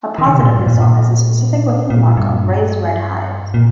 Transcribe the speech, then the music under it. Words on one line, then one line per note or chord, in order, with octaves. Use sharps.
A positive result is a specific looking mark of raised red hives.
D#3
C3
A#2
G2
A#2
A#2
A#2
G2
A#2